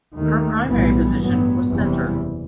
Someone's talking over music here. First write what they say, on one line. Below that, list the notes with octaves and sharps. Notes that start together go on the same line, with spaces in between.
Her primary position was center.
D#2 D#3 A3
B1 A2 E3 G3 B3
A1 G2 F#3 B3
F#1 E2 C3 E3 G3